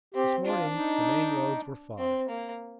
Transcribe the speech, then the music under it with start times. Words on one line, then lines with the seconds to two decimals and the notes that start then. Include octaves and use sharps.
This morning the main loads were fodder.
0.14 C4 G4
0.45 D4 F4
0.75 D#4
1.98 C4
2.29 A#3